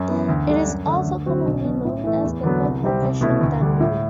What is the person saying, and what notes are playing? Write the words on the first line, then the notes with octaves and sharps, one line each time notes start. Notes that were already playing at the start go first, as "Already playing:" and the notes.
It is also commonly known as the purple passion danio.
Already playing: F#2
E3 B3
D2
D3 G3 D4 A4
F#2
D3 A3
D2
D3 F#3 C4 F#4
B1
B2 F#3
A2
E3 A3
E2
D3 F#3 B3
C2
C3 G3 C4 G4
C2
B2 A3 E4
D2
D3 G3
A2